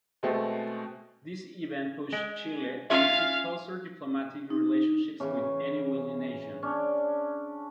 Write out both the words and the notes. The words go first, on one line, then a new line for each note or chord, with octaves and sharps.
This event pushed Chile to seek closer diplomatic relationships with any willing nation.
B2 G#3 A3 C4
G#3
C#4 F4 E5 F5
D#4
C#3 E3 C#4
C#4 D4